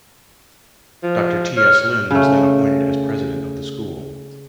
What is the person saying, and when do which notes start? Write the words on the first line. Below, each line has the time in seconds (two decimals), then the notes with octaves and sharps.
Doctor T. S. Lin was then appointed as president of the school.
1.03 F3
1.57 C#5 F6
2.11 C#3 A3